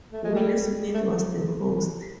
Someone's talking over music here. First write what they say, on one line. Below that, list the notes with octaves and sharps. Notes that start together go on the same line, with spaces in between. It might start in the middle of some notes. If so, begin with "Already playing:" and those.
Will Smith was the host.
A3
G#3
G3
A3